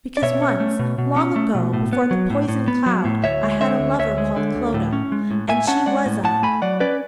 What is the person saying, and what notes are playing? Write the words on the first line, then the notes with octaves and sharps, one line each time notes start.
'Because once, long ago before the poison-cloud, I had a lover called Clodagh: and she was a....'
D5
B2 C#5 E5
C#4
A3
B2
B2
C#4
A3
B2
A2
B3
F#3
A2
A2
B3
F#3
A2
D2 C#5 E5
G#3
D3 C#5 E5
D2
D2 C#5 E5
G#3
D3
D2
A2
C#4
G#3
A2
A2 E5 G#5
C#4 F#5 A5
G#3 D5 F#5
A2
A2 F#5 A5
A3 G#5 B5
F#3 D5 F#5
C#4 B4 D5